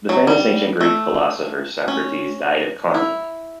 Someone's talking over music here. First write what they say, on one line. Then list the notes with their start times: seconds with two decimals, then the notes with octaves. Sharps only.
The famous ancient Greek philosopher Socrates died of coniine.
0.09 F#3
0.27 G3
0.81 A3
1.88 C#4
2.94 E4